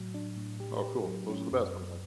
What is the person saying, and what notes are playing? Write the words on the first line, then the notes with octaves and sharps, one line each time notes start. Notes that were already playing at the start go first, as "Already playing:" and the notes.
Oh, cool. Those are the best ones, then.
Already playing: A2 F#3
D4
A2
G4
G4
F#3
C#4
F#2
F#2